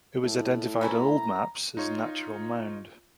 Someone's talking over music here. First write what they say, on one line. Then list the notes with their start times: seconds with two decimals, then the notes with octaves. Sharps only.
It was identified on old maps as "Natural Mound".
0.23 A2
0.81 B3 C#4 E4 A#5
1.77 D#4 F4 C#5